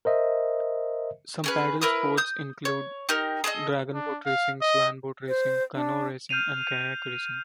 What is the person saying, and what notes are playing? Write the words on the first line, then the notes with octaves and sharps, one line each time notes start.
Some paddle sports include dragonboat racing, swanboat racing, canoe racing and kayak racing.
A#4 C5 D#5 E5
C#4 G#4 B4
E4 A#4 B4 D#6
D#6 G6
C#5
D#4 G4 A#4
G#4 A4 B4 D#5
D4
F5
D#5
C5
D4
F6 G6 C7 D#7 F7